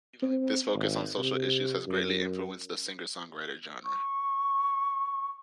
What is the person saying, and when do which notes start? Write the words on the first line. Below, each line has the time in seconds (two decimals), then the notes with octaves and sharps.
This focus on social issues has greatly influenced the singer-songwriter genre.
0.22 C4
0.74 G#1
1.18 C3
1.87 F#2
3.85 C#6